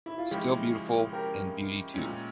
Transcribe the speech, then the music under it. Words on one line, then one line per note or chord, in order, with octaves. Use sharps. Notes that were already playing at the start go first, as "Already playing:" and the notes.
Still beautiful in beauty too.
E4
F4
C#3 F3 G#3 C#4 E4 G4
G4 A#4
A#2 G#3 C#4